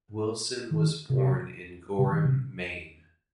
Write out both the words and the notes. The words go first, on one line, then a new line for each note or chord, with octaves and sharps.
Wilson was born in Gorham, Maine.
D#3
C3
C3
D#3
C3